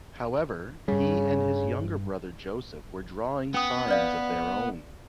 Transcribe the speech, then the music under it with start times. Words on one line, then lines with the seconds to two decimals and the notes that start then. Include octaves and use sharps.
However, he and his younger brother Joseph were drawing signs of their own.
0.88 G2 C#3 G3
3.54 B3 C#4 D#6
3.88 B4 D5 F5